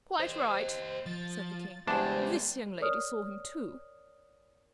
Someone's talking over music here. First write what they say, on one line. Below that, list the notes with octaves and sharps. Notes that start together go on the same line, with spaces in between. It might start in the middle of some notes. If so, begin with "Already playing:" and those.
'Quite right,' said the King: 'this young lady saw him too.
G4 C5 D#5
F3 A6
E2 G3 G#3 D4 C5 C#5 A5
A#4 C#5 D5 D#6 F6